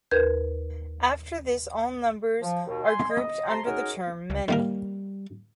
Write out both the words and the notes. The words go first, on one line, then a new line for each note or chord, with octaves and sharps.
After this all numbers are grouped under the term 'many.
D#2 A#4 B4 G6 G#6
F3
D#2 B2
G#5 C6
D#5
C3 A5 A#5 C6
C#4 D#4 F#4 G#4 A#4
C#2
D#3 G3 A#3 A#4